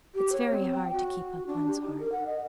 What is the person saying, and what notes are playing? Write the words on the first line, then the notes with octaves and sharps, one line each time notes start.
It's very hard to keep up one's heart.
G4
C#5
C4
G5
F#4
D4
G4
D#4
A#4
F#5
D#5